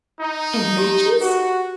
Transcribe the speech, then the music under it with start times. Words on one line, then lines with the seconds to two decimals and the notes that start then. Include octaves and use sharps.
"And matches?"
0.20 D#4
0.78 G4
1.21 F#4 G#4